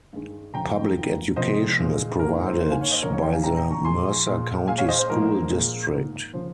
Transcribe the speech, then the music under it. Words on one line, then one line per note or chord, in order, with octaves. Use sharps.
Public education is provided by the Mercer County School District.
G2 D#3 G#3
F2 C#3 G#3 G5 A#5
G#2 F3 A#3
C3 F3 A#3 C5 D#5
A#2 G#3
G#2 D#3 A#3 A#4
C5
G#2 D#3 A#3 C5
F5 G#5
C#5 F5
C5 D#5
F2 C#3 G#3 A#4 C#5
C#5 F5
D#5 G5
F5 G#5
A#2 G3 A#3 G5 A#5
G5 A#5
A#5 C#6
A#2 F3 G#3 G#5 C6
A#2 G#3
A#2 G#3 F5 G#5
C#5 F5
C5 D#5
C5
G#2 F3 A#3 A#4
A#2 G#3
G#2 D#3 A#3
C#3 F3 C5